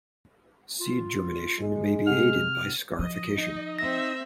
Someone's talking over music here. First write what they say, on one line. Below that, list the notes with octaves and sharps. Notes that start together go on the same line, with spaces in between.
Seed germination may be aided by scarification.
F4
G#3
C3 G4 F#5 F6
D3 F3 D#5
D#4
C4 E5 A#6